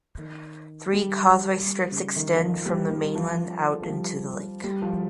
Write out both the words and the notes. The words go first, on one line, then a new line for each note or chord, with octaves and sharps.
Three causeway strips extend from the mainland out into the lake.
D#3
G3
G3
C#3
D#3
F3
D#3
G3
G3
F3
F3
G3
G3
F3